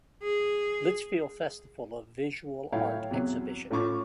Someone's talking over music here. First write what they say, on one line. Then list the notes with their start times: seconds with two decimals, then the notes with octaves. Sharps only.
Lichfield Festival of Visual Art Exhibition.
0.23 G#4
2.72 A2 E4 C#5 F5 G5
3.11 E2 C3 F#3
3.71 A2 C#4 F4 C#6 D6